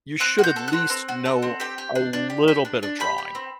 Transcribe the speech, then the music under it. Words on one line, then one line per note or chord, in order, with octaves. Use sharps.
you should at least know a little bit of drawing,"
C4 F#6
F#4 G6
A4
F#6
C4
C4
F#4
A4
C4
G4 G5
G4
D4
D4
G4
G4
D4
D4
G4 B5
G4
C4